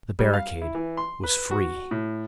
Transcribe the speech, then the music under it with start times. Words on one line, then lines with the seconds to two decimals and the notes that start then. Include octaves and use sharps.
The barricade was free.
0.19 G3
0.34 F5
0.61 E4
0.75 E3
0.97 C6
1.24 B4
1.51 F#4
1.91 A2